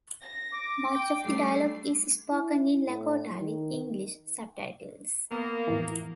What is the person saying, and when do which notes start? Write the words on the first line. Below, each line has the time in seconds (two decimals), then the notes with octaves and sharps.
Much of the dialogue is spoken in Lakota with English subtitles.
0.23 A#6
0.52 D6
0.91 G5
1.24 G3 A3 C7
2.30 E4
2.87 A2
3.40 D#3
5.31 A#3 B3
5.67 F2 A2 E3